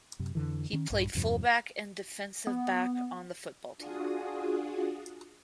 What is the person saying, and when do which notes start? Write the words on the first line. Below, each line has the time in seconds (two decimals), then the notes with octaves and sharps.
He played fullback and defensive back on the football team.
0.19 F#2 C3
0.35 F2 D3 E3
0.73 D#3 C#4
0.90 A#1 G2
1.15 E2 G2 C3 F3
2.47 B3
3.77 D4 F4 F#4 G#4 D#6